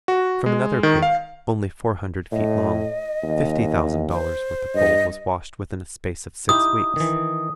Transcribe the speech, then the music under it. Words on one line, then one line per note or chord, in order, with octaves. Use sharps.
From another creek, only four hundred feet long, fifty thousand dollars' worth of gold was washed within a space of six weeks.
F#4
G#3
D#3
F5
A2 D#5
D#2
C5
G2 D#5
D#4 E4 G4 D#6
D#3 E3